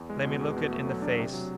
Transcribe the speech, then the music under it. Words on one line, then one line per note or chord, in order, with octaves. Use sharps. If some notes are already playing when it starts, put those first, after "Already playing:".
Let me look it in the face!
Already playing: E2
G#3
B2
E2
B2
A3
F#3
D4
C3
F#3